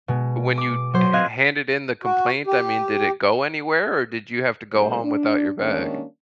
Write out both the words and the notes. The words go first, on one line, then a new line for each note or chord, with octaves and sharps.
when you ha ha handed in the complaint, I mean, did it go anywhere, or did you have to go home without your bag?
B2 G#3
D6
F#3 C5
C4 D#5 F5 F#6 G#6
F#4
G4
A2 C#3 G3 A3 C5
D4
D#3 G3 G#3 A#3 C#4 D4